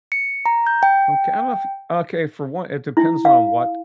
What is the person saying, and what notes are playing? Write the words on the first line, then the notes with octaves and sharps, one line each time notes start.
Okay, I love okay, for one, it depends on what
C#7
A#5
G6
G5
E4
F5